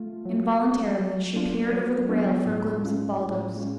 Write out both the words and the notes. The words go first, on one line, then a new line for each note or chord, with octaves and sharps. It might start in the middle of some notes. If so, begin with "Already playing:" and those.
Involuntarily she peered over the rail for a glimpse of Baldos.
Already playing: A3 F4
F#3
A3 F4
F#3
B3 D4 F4
F#3
B3 D4 F4
A2
G#3 C#4 F4
A2
G#3 C#4 F4